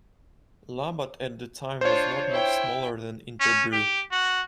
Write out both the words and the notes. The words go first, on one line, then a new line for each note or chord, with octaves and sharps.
Labatt, at the time, was not much smaller than Interbrew.
D4 F4 C5 C#5
E4 G5
C#4
G4
F#4